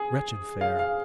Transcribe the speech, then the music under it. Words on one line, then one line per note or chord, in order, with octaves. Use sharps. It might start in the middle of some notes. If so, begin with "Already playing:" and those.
Wretched fare!
Already playing: G#4
F5
F5